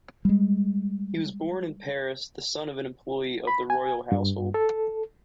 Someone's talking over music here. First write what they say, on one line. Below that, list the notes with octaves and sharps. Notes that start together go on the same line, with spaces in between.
He was born in Paris, the son of an employee of the royal household.
G3 G#3
B5
G#5
G2
A4